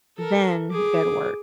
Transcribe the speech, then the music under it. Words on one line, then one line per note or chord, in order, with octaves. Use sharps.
then go to work,
A4 A#4
G#4 D6